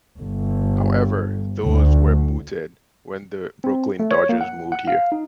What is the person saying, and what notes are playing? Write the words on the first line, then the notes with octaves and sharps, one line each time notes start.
However, those were mooted when the Brooklyn Dodgers moved there.
G1
D2
C4
A3
C#5
A#3
F#5
F#5
F5
D#4